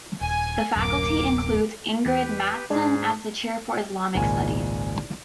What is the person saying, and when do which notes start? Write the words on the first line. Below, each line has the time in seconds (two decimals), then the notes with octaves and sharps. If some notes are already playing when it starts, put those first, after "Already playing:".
The Faculty includes Ingrid Mattson as the Chair for Islamic Studies.
0.21 D#1 G#5
0.76 D1 F#2 A#3 D6
2.06 E2 G4 B4
2.70 G#2 G#3 D4 G#4
4.14 G#1 C#2 A#2 G#5